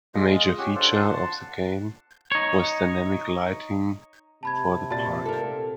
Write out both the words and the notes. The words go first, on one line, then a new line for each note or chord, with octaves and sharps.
A major feature for the game was dynamic lighting for the park.
G#3 F4 D#5
C#4 G4 F#5
D4 F4 A4 C5
F#5 A5 C6
D#4 C#5
C3 A5 B5 G#6
A#2 D5 A5 A6
A4 A#4